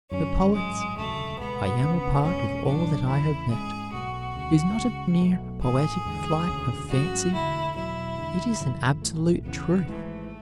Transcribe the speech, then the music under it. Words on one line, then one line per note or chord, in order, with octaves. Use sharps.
The poet's "I am a part of all that I have met" is not a mere poetic flight of fancy; it is an absolute truth.
F#1 F#2 D3 F#3 C#4
A1 G#2 F#3 G#3
E1 D2 C#3 F#3 A3
C#2 B2 G#3 B3
E1 D2 C#3
E2 B2 G#3 C#4
B1 A2 F#3 B3 D4
E2 C#3 E3 A3 E4
G#2 G#3 C#4 G#4
B1 B2 A3 F#4
D2 C#3 G#3
C#2 C#3 G#3
B1 B2 F#3 A3
A1 A2 E3 A3 G#4
E2 D3 G#3
E1 D2 C#3
G#1 G#2 F#3 C#4 F#4
E1 D2 D3 A3 E4
E2 B2 F#3 E4
E2 D3 G#3
F#2 C#3 E3 A3
B1 A2 E3 A3
E2 C#3 E3 B3
G#1 G#2 E3 A3